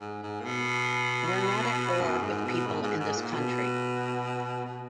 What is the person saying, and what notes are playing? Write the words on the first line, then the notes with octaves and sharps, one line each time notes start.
We're not at war with people in this country.
G#2
G#2
A#2
B2
F#2
G#2
B2
G#2
G#2
G#2
A#2
B2
B2